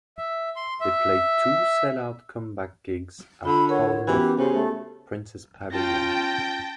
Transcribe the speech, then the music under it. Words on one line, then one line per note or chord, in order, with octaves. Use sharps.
They played two sell out comeback gigs at Falmouth Princess Pavilion.
E5
C6
E5
D3 F4 B5
A#4 C#5 F#5 C#6
E3 B3 C#4 F#4 G4
C#3 G4 C5
A3
C#4 F4 G5 A5 A#6